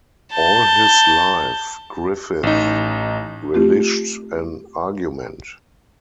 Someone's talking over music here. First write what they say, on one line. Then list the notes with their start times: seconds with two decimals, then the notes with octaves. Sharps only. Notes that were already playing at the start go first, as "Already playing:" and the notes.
All his life, Griffith relished an argument.
0.33 A5 G6
2.43 A1 D#4
3.54 A3 C4 F4 G4